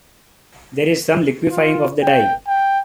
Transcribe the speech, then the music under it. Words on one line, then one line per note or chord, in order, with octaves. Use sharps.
There is some liquefying of the dye.
F4
G5
G5